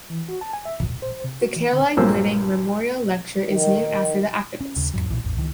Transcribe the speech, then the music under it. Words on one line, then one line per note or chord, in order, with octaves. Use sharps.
The Caroline Gooding Memorial Lecture is named after the activist.
E3
F#4
A5
G#5
E5
C#2
C5
C3
F#4
E3
D3
A#1 G2 F#3 A#3 C5 E6
D#3
C#4
D#2 C#3
E2 G#2 F#3
B1 A#2 E3
A1 E2
C#2 D#3 E3